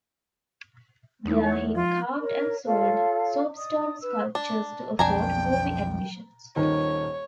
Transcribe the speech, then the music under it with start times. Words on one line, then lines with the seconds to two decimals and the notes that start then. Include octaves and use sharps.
There he carved and sold soapstone sculptures to afford movie admissions.
1.25 E2 G#3 D#4 E4
1.44 C#5
1.75 F3 F4
2.21 A#4 C#5
2.66 F4 A4 C#5 F5
3.56 D5 D#5 D#6
4.01 B4 E6
4.35 D4
4.99 B1 F2 D4 G5 G#5 A#5
6.56 D#1 D#3 C#5